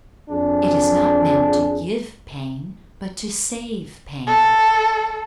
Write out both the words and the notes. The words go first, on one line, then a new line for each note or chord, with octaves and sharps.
It is not meant to give pain, but to save pain.
F2 D4 G#4
A4